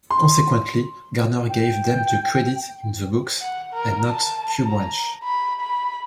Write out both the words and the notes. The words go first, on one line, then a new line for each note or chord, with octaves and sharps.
Consequently, Gardner gave them the credit in the book and not Q Branch.
C6
G5
F#5
A#4
A5
A#5
B5
B5